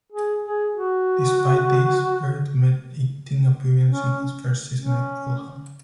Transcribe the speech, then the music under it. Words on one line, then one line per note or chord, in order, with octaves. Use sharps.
Despite this, Baird made eighteen appearance in his first season at Fulham.
G#4
G#4
F#4
C#4
C#4